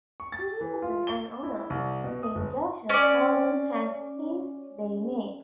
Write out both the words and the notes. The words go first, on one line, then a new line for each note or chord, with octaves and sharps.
To represent and honor Saint Joseph, Poland has hymns they made.
C#6
A6
E3
F4
G7
E4
C2
B2
D#6
G1
C#4 D5